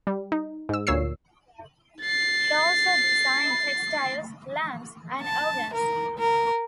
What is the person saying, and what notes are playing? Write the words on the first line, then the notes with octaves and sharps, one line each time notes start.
He also designed textiles, lamps and organs.
G3
D#4
G#2 E6
D2 A#2 C#5 E6 C7
A6 C7
A5
A#4
A#4